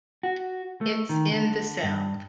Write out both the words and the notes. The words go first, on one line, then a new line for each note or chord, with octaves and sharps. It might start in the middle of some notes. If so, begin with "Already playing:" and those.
It's in the south!
F#4
A3
D#3
D3
G2